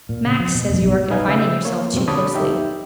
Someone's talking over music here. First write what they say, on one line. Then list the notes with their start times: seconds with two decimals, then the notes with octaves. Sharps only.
Max says you are confining yourself too closely.
0.09 A#2
0.25 C#3
0.40 F3
0.55 B2
0.70 F1
0.82 B1
1.10 D#4 B4 F5 G#5
1.28 C#3 E5 E6
1.65 A#3 C#5
1.93 F2 B2 F#3 C4
2.08 D3 C#5 A5 B5 D6 D#6
2.35 D#4 G4 E5